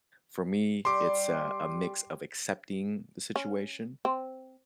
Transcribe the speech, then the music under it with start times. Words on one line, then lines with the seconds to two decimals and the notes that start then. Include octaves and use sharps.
For me, it's, uh, a mix of accepting the situation,
0.85 G3 C6 D6
3.36 C#4
4.05 C4